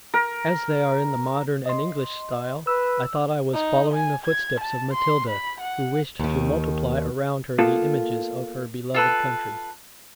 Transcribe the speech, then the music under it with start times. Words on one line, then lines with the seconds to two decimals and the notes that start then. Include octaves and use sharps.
As they are in the modern and English style, I thought I was following the footsteps of Matilda, who wished to multiply around her the images of her beloved country.
0.14 A#4
1.66 D#5 C6
2.67 B4 E6
3.54 D#4
3.94 G#5
4.25 G#6
4.60 A5
4.94 C6
5.30 B5
5.61 F#5
6.20 D#2 D#3
7.58 A#3 B3 F4 A4
8.94 F4 A4 B4